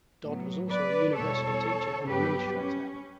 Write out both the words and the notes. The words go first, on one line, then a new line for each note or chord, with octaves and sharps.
Dodd was also a university teacher and administrator.
A2 F#3 B3
B4 D5
E2 B2 G3 B3 A4 C#5
G2 F#3 B3 G4 B4
C#4